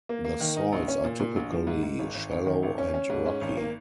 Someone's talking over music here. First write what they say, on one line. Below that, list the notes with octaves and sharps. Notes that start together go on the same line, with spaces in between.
The soils are typically shallow and rocky.
A#3
A#3
D#3
D#4
A#1
C#4
A#2
A#2
A#1
F3
G#2
G#2
G#1
G#1
G#1
D#3
G#1
C#4
C#4
G#2
C#4
G#1
A#3